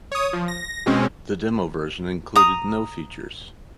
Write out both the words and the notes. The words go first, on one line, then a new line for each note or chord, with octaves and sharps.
The demo version included no features.
C#5 D#6
F3
A#6
B2 G#3 C4 C#4
A#5 D#6